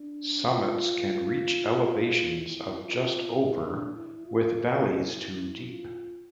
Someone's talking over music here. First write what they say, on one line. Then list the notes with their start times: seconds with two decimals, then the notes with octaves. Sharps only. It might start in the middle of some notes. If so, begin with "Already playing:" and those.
Summits can reach elevations of just over with valleys to deep.
Already playing: D4
0.47 F4
2.37 E4
2.84 F4
3.32 E4
3.63 D4
3.95 E4
4.26 F4
4.74 E4
5.22 E4
5.69 F4